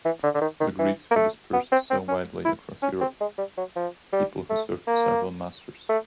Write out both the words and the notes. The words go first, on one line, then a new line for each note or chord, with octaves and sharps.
The Greeks were dispersed so widely across Europe, people who served several masters.
E3
D3
D3
D#3
D#3
E3
A#3
A3
B3
C4
C4
C#4
E4
C#4
C4
G#3
G3
F#3
F3
G3
A3
A#3
A3